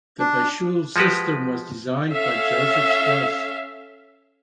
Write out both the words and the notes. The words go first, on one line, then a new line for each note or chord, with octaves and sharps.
The bascule system was designed by Joseph Strauss.
D4
F3 G#3 F#4 G4 B4
C#4 A4 E5 F5